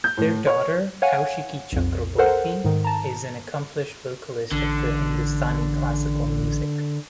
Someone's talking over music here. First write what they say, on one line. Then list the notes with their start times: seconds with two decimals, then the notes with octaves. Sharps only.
Their daughter, Kaushiki Chakraborty is an accomplished vocalist of Hindustani classical music.
0.04 G6
0.17 A2
0.47 C#5
1.02 C#5 F5 F#5 G#5
1.72 B1 F2
2.18 A4 A#4 C5 F#5
2.64 G#2 D#3
2.85 A5 A#5
4.51 A1 D3